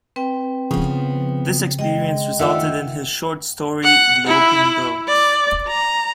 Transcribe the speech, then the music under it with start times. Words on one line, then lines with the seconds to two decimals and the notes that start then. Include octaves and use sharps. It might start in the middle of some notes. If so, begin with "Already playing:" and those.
This experience resulted in his short story "The Open Boat".
0.16 C4 B4 G5
0.71 C#3 F3 B3
1.79 G#3 D#5 G5
2.40 D#3 A3 F4 E5 F#5 E6
3.84 F#5
4.27 E4
5.08 D5
5.67 A#5